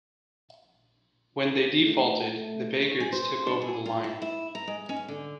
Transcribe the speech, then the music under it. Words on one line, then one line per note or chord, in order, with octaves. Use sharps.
When they defaulted the Biegerts took over the line.
G#4
A3
A3
C#5
G#4
C5
D4
G#4
F4
E4
E4
A#5
G#3
C#4
D3